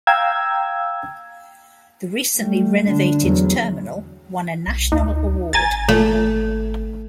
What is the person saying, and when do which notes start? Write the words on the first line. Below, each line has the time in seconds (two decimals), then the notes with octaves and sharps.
The recently renovated terminal won a national award.
0.07 F5 G5 A#5 E6 G#6
2.36 G3 A3
2.88 D3 D4
3.20 E2 F#3
4.67 B1
4.92 D2 D#4
5.53 G#1 G#5 A#5 A6
5.89 A#2 A3